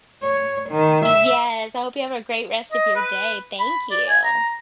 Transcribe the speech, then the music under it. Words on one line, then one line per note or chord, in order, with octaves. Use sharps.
yes, I hope you have a great rest of your day, thank you.
C#5
D#3
E5
D#5
B4
B5
D5
G#5
A#5